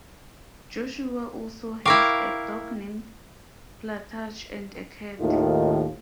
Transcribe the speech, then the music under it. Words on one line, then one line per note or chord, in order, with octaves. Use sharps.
Joshua also has a dog named Plutarch and a cat.
E4 A#4 F5 G5 C#6 D6
D#2 A2 D#3 F4